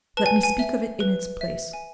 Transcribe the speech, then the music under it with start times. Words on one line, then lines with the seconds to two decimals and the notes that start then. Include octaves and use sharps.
Let me speak of it in its place.
0.17 B4 A5
0.26 G#5
0.43 G#5
0.59 E5
1.00 B4
1.41 E5
1.73 G#5